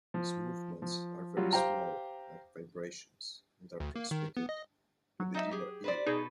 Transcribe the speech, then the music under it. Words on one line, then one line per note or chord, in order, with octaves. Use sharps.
These movements are very small, like vibrations and are transmitted to the inner ear.
F3
F3
F#3 G3 F4
G4 C5 F5 G5 A#5
D2
A#3
D#3
B3
D#5
F#3
D#4 D#5 E5
G4 G#4
B4 C5 D5
B2 D#4 G#4 A4 B4